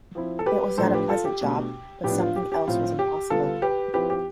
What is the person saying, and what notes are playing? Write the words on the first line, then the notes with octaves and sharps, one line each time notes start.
It was not a pleasant job, but something else was impossible.
F3 C4 E4
A4
G4 B4
A2 F3 A3 D4 A4 C5
G4 B4
F4 A4
G4
B2 A3 D4
A2 F3 B3 D4 G4
F4
G4
G4
A2 F3 C4 F4
G4
D3 G3 B3 D4 F4 A4
G4 B4
F3 C4 E4 G4 B4
G4